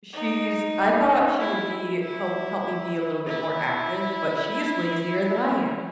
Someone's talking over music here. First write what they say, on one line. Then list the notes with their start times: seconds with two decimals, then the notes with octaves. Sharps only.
she's I thought she would be help help me be a little bit more active, but she's lazier than I am.
0.14 D#4
1.39 E4
2.02 E4
3.27 E4